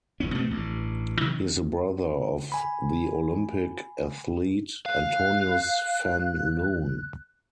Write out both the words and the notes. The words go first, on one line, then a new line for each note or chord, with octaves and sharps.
He is the brother of the Olympic athlete Antonius van Loon.
F#1 F2 B3 C#4
B2 A3 B3 C4
A1 G2
C3 D#3 E3 F#3
G#5 B5
F5 F#6